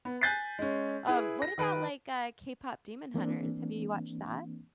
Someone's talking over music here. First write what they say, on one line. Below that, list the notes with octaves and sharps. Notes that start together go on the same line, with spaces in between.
Um, what about, like, uh, K-Pop Demon Hunters? Have you watched that?
B3
G#5 F#6 G6 A6 B6 C7
G#3 C#4
E4 G#4 B4
A#6
D#3 B4 D7
E3 A#3 C4 D4